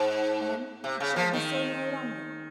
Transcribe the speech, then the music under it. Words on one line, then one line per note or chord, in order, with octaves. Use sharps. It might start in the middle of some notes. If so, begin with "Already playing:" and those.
'Then it shall be so no longer!
Already playing: G#2
C3
C#3
F3
D#3